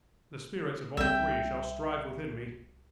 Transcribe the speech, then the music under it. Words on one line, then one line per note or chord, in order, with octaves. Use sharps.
'The Spirits of all Three shall strive within me.
C2 C4 E5 G5